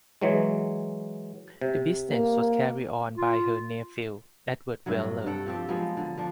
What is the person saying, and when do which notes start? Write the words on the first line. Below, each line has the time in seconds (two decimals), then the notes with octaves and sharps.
The business was carried on by her nephew Edward Weller.
0.21 E3 F#3 G#3
1.61 C3
2.09 A#3
3.16 F4
4.86 G2 C3 F#3
5.26 G2 A4 F#5 G5
5.46 F3 C4 G4
5.69 F3 F#3 G#3 B3
5.97 D3
6.18 F3 D4